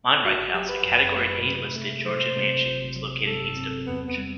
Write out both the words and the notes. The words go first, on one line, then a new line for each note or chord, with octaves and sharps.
Monreith House, a category A listed Georgian mansion is located east of the village.
G1 F#4
F#4
F#3 G4
B4
F#2
A3
C3
A3
F#3 C5
C3
G1
F#3
G2 A4
C4
E2 B3
B3
G3